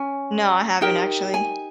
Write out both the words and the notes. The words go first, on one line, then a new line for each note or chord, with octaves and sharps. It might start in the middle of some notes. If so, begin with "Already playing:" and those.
No, I haven't, actually.
Already playing: C#4 G#5
D#4 G4 A#4 G5
G#5